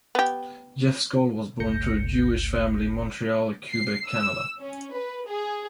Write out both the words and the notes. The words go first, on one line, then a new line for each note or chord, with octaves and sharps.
Jeff Skoll was born to a Jewish family in Montreal, Quebec, Canada.
B3 G4
G1 C#2 A3 G6 A#6 C#7
C7
E6
C#4
B4
G#4